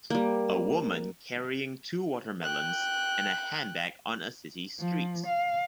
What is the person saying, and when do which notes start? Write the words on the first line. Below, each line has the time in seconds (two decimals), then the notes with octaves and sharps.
A woman carrying two watermelons and a handbag on a city street.
0.10 G3 A#3
2.43 G5 F#6
4.80 F3
5.27 F5